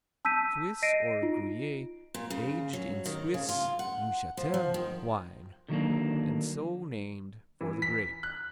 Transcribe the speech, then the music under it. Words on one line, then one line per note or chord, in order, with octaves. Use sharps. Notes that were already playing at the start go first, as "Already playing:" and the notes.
Swiss or Gruyere aged in Swiss Neuchatel wine and so named for the grape.
A5 E6 G6 B6 D#7
D#5 A#6 C7 D7 D#7
D#4 F4
A#2
C#3
F#3
D#3
C#3
F4
F#5
F3
F3
D#3
D3 D#3 F#3 G3 A#3 D4
E3
B6
F#6